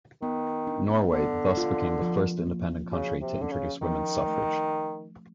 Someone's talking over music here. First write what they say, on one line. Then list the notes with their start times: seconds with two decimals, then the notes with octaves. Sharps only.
Norway thus became the first independent country to introduce women's suffrage.
0.22 D#3 B3
0.67 D4
1.12 D3 B3
1.57 F4
2.02 F3
2.47 A#3
2.92 C#3 F#4
3.21 C3
3.37 C#4
3.42 D3
3.51 C#3
3.81 D#3 F3
4.27 A3